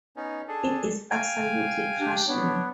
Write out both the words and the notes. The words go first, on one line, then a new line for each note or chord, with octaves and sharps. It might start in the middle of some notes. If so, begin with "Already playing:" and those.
It is absolutely crushing.
B3 C#4 D#4
D4 G#4 A4
F5 G5 G#5
D4 G4
B3 D4 C#5